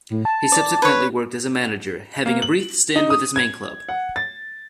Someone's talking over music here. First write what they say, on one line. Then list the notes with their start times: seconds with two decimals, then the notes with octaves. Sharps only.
He subsequently worked as a manager, having a brief stint with his main club.
0.10 A2
0.25 A5
0.52 D5
0.82 B4 C#5
2.26 A#3
2.42 F#7
2.96 D#4
3.10 D#6
3.36 G#6
3.89 F#5
4.16 A6